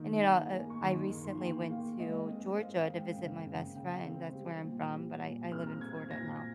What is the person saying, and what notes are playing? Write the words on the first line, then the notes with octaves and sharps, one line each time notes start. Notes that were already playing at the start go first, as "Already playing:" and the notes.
And, you know, uh, I recently went to Georgia to visit my best friend, that's where I'm from, but I I live in Florida now,
Already playing: D#3 A#3
A#3 A#5
G#5
A#3
C#6
D#3 C6
D#3 C6
C6
A#3 G5
A#3 F5
G#3 D#5
C4
C4 F5
F5
G#3
G5
C#3
C#3
C#3 G5
C4
G3
A#2
G3
A#2
C4 F6
A#5
C4 G#6
G#6
A#2 A#6